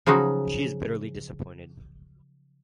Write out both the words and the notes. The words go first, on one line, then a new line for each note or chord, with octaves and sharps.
She is bitterly disappointed.
C#3 F3 F#3 D#4 F#4